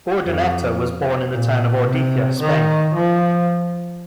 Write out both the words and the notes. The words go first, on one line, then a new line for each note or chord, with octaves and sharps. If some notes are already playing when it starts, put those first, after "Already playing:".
Urdaneta was born in the town of Ordizia, Spain.
F2
A#2
C3
D#3
F3